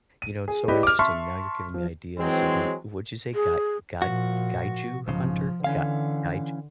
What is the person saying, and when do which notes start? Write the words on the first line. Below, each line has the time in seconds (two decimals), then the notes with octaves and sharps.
You know, it's so interesting. Now you're giving me ideas of ye what did you say? Gai gad gaiju hunter? Ga gaiju
0.22 D#7
0.48 G#4
0.68 E4 G4 B4 D5 D#5
0.83 D6 F6
0.99 E5 A5 C6 C#6 F6
1.74 F3
2.18 E3 F#3 G#3 C4
3.35 G#4
4.02 A#2 F3 F#4
5.08 B1 G#2 C#3 F3
5.64 D3 E3 C#4 F5